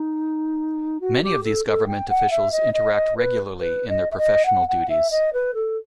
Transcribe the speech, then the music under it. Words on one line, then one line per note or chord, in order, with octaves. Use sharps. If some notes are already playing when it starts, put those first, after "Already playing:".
Many of these government officials interact regularly in their professional duties.
Already playing: D#4
F#4
G4
A4
A4
G5
F#5
E5
D#5
D#5
B4
B4
D#5
E5
D#5
F#5
F#5
E5
D#5
B4
A4